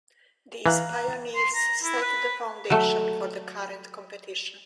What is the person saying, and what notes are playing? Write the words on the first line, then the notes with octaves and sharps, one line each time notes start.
These pioneers set the foundation for the current competition.
E3 F5 A#5 F#6
C6
A#5
E4
B4
F#3 A3